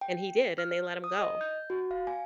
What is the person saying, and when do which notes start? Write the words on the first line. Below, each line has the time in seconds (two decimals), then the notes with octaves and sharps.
and he did, and they let him go.
0.01 G5
0.58 F6
1.04 D#6
1.19 D#5
1.41 G6
1.70 F#4
1.91 F5
2.07 G#5